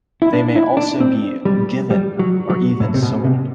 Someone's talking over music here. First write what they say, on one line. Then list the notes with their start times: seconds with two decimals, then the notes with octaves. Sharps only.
They may also be "given" or even sold.
0.22 E4
0.33 D4
0.56 E4
0.77 D4
1.00 C4
1.45 G3
1.91 G3
2.19 F#3
2.50 F#3
2.80 A2
2.94 C3
3.02 B2
3.25 C3